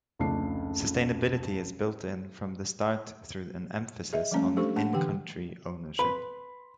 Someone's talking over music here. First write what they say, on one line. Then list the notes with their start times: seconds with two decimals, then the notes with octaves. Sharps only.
Sustainability is built in from the start through an emphasis on in-country "ownership".
0.19 F1 C#2 A3 D4 C7
4.13 G#4 D#5 E5
4.31 F3 G3 A3 A#3 C#4 A5
4.56 A3 D4 G4 A4 C5 C#6
4.76 G#3 A#3 D4 F#5 A5
4.93 D3 E3 G4 G5
5.99 B4 B5 C6